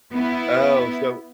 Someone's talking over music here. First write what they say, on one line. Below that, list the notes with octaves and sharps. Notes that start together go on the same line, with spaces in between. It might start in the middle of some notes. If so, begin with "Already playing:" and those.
Oh, so
B3 E4